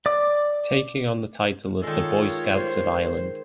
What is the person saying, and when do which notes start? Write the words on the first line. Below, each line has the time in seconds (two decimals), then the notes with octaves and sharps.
Taking on the title of the "Boy Scouts of Ireland".
0.06 D5 D6
1.83 D#3 G#3 F4 A4 C#5
2.55 C5